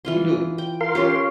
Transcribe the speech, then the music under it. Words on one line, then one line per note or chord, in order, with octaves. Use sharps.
You do.
E3 F4 C6
G5
A#4 F5 C6
C#4 F4 G4